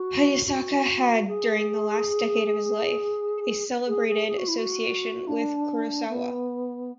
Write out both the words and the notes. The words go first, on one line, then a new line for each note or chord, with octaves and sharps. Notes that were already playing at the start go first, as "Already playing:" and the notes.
Hayasaka had, during the last decade of his life, a celebrated association with Kurosawa.
Already playing: F#4
F#4
G#4
G#4
G#4
G#4
F#4
E4
F#4
D4
B3